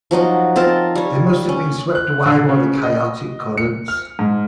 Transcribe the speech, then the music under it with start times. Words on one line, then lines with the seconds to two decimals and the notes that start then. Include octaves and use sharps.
They must have been swept away by the chaotic currents.
0.11 F3 F#3 D#4 F#4
0.56 C4 F4 A#4 A5
0.95 G3 C#5
1.49 C#4
1.95 F#6
2.25 D3
2.49 C#3
2.83 D#5
3.57 C#7
3.88 F6
4.19 G#2